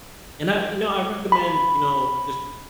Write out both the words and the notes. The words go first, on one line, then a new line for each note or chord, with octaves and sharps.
And I you know, I recommend, you know, just
B5